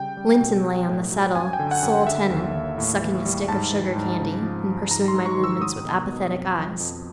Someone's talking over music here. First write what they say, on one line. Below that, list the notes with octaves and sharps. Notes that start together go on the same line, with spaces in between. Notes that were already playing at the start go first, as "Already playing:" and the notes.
Linton lay on the settle, sole tenant, sucking a stick of sugar-candy, and pursuing my movements with apathetic eyes.
Already playing: C#3 G3 G5
G3
B2
F#3
A2
F#3
F#2 G#5
G5
D3
F#5
F#2
D3 E5
D#2
D#2
A2
E3
G3
G#2 A5
E3
G#2
C#3
F3
F3
G#2 A#5
C6
G#2
C#6
D#3
E6
F#3 D#6
B2
B2
F2
F3
F2